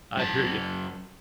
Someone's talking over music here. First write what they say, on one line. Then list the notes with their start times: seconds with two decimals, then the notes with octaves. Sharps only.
I hear ya.
0.17 F#2 A5